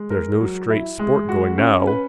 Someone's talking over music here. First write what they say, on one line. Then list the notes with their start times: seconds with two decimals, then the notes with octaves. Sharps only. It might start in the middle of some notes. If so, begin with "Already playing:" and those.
There's no straight sport going now.
Already playing: G#3
0.10 A#4
0.41 F#3
0.70 E4
0.99 G#3
1.29 F#4
1.58 C#4
1.87 B4